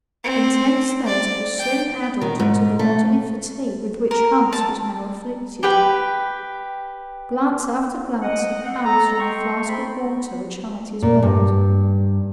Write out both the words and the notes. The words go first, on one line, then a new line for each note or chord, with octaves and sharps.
Intense thirst was soon added to the bodily fatigue with which Hans was now afflicted; glance after glance he cast on the flask of water which hung at his belt.
C4
D5
G5
D#3
G#2
A3
A#4
A5
G4 B4 G5
D#5 F#5
C4 F#5
A4 A#5
D#5 G5 C6 C#6
D#4 G#4 A4 C5 B5 C6
A#2
G2